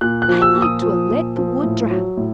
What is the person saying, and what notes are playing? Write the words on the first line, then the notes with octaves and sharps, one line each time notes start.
I like to 'a' let de wood drap!
A#2 F#6
F#6
F3
E6
A#2
D#6
F3
A#2
F3
A2
F#3
A2